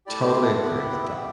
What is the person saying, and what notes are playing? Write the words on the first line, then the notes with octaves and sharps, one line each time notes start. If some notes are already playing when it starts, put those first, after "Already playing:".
Totally agree with that.
A3 E4 G4 D5
C5
E5
B3 E4 G4 F#5
E5
F#5
E5
G4